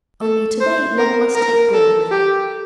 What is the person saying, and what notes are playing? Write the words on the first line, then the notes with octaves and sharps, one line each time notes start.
Only to-day, Long must take Broad with him.
A4
C5
A#4
A#4
A4
G4